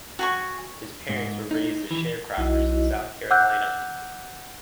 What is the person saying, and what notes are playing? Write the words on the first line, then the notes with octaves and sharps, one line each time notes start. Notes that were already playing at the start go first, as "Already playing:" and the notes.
His parents were raised as sharecroppers in South Carolina.
F#4 G#5 C#6
G#2
D#4
E3
B1 E4 F#4 D#5
F#5 D6 E6 F#6 G6